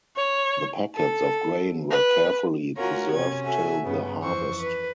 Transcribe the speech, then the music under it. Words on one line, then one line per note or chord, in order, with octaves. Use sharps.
The packets of grain were carefully preserved till the harvest.
C#5
A4
B4
C#4 F4 F#4 A#4 C#5 A#5
C3 C#4 G#6
F#4 A4 E5 G#5
G2 C#3 B3
F2 E3 C5 C#6
B4